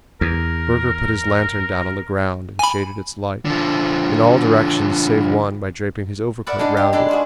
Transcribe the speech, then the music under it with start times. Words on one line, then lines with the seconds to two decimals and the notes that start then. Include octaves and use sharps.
Burger put his lantern down on the ground, and shaded its light in all directions save one by draping his overcoat round it.
0.21 E2 A#4
2.59 G#5 B5
3.45 D3 F3
6.46 A#4 B4 D5 E5 F#5
6.59 G#3 D4 D#4 B4 D5
6.77 G4
6.93 G#3 D4 A4 B4 D5
7.09 F4 F#4 G#4